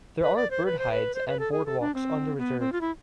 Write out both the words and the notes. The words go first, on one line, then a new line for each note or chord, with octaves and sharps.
There are bird hides and boardwalks on the reserve.
B4
D5
C5
B4
C5
B4
C5
B4
A4
G#4
A4
D4
C4
B3
C4
F4
E4